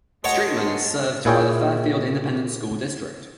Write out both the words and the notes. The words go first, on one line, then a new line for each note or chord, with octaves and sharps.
Streetman is served by the Fairfield Independent School District.
D#3 F#3 G#3 C#5 D#5 F#5 A5
A#2 E4 G#4 C#5 G5